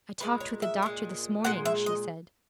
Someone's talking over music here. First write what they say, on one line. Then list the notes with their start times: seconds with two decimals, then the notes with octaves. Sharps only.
'I talked with the doctor this morning,' she said.
0.20 A#2 G#3 B4
0.40 C#5
0.62 E5
0.82 A#2 G#3
1.44 A#2 G#3 F#5
1.65 E5
1.86 D#5